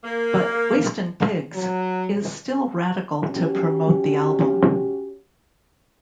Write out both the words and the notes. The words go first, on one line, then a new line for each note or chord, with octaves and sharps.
But Wastin Pigs Is Still Radical to promote the album.
A#3
F#3
C#4 F#4 G4